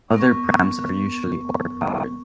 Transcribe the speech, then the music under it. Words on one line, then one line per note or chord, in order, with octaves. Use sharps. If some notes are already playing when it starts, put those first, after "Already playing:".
Other prams are usually oar powered.
B3 A#4 C#6